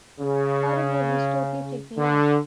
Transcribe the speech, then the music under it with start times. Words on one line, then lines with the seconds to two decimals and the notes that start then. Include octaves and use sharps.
Horror movies totally freak me out.
0.21 C#3
1.98 D3